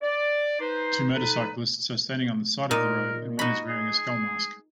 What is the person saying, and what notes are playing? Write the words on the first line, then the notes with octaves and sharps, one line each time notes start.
Two motorcyclists are standing on the side of the road and one is wearing a skull mask.
D5
D#4 B4 C5
D#4 A4 B4
A#2 D#4 A#4 D#5
D#4 F#4 B5
G#4